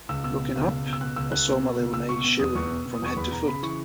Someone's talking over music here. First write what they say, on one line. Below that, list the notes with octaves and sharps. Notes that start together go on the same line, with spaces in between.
Looking up, I saw my little maid shivering from head to foot.
C#2 E6
B2 E6
B2
C#2
C#2
B2
E6
B2 F#6
C#2 E6
C#2 F#6
B2
B2
C#2
C#2 E6
B2 C#6
B2
E2 D#6
E2 C#6
B2
B2
D#6
E2 C#6
E2 B5
B2 A#5
C#3 B5
E3 C#6